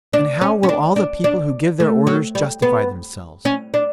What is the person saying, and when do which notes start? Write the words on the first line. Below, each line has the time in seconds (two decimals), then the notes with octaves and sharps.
And how will all the people who give their orders justify themselves?
0.13 D4
0.41 C#4
0.63 C#4
0.69 D4
0.96 D4
1.24 D4
1.80 A3
2.07 F#3
2.35 G3
2.62 B3
3.45 C#4
3.74 D4